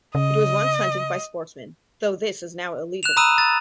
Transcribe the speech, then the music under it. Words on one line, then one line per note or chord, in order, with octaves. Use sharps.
It was once hunted by sportsmen, though this is now illegal.
C#3 D#5
F#6 E7 F7
A#5 B5 D#6 E6 D#7 E7
A6